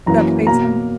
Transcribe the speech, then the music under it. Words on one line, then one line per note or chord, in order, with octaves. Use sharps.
that plays him?
F#2 E3 A#3 A#5
B2 A#3 A#5